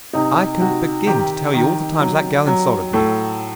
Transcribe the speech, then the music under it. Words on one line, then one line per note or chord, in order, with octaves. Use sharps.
I couldn't begin to tell you all the times that girl insulted me.
C3 D#4
C3 F#4
D#3 G4
D#3
F#3
F#3
A2 A4